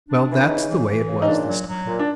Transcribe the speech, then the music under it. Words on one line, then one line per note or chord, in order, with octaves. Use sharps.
Well, that's the way it was this time.
D4
E3
C#3 D#4
E3
E3
C#3
D#4
A#2 D4
F#3
F#3
A#2
D4